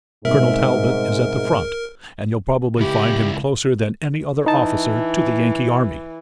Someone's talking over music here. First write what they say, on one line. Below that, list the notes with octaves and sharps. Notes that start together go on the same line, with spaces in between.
Colonel Talbot is at the front, and you'll probably find him closer than any other officer to the Yankee army.
G#2 B2 G3 C4 A#4 E5
C#2 E4 G4
E3 D#4 A5